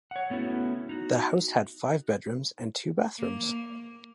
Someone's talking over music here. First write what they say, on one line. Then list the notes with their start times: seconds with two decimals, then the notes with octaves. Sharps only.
The house had five bedrooms and two bathrooms.
0.11 C#5 F#5
0.30 A3 B3 C#4 E4 F#4
0.89 D#4 F#4
3.19 A#3